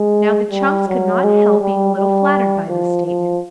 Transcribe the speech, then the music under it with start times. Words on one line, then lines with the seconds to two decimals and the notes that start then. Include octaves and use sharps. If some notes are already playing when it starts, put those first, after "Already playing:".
Now, the chums could not help being a little flattered by this statement.
Already playing: G#3
0.51 G3
0.88 F#3
1.24 G#3
1.61 G3
1.96 G3
2.69 F3
3.06 F3